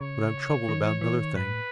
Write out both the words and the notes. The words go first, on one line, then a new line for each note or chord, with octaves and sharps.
But I am troubled about another thing.
C#3 C#5
D#3
E3
E3
D#3
G#2 B4
A2